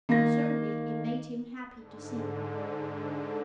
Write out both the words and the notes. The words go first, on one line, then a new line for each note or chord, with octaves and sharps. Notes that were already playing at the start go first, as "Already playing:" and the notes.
Certainly it made him happy to sing.
D#3 A#3 A#6
G#2 D3